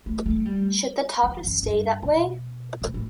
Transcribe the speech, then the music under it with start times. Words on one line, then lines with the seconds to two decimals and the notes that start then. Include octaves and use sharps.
Should the tuft stay that way?
0.06 A3
0.26 A3
0.45 G3
1.23 E3
1.44 F#2
1.63 G2
2.02 B2
2.82 A2
2.94 A2